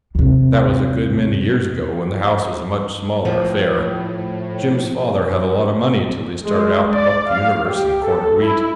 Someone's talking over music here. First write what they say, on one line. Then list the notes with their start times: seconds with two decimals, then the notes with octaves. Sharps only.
That was a good many years ago when the house was a much smaller affair. Jim's father had a lot of money till he started out to buck the universe and corner wheat.
0.15 D#2 C3
3.25 A2 F3
6.45 G#3
6.93 D5
7.30 F5
7.69 G4
8.03 A4
8.42 E4